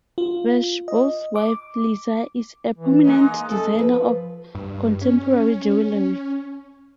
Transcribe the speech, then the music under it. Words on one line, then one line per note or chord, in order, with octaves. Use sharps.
Vershbow's wife, Lisa, is a prominent designer of contemporary jewelry.
F4
D#5
D6
E3
G#3 A#3 D#4
A3 C#4 A4
F3 A#4 B4
G2
C#4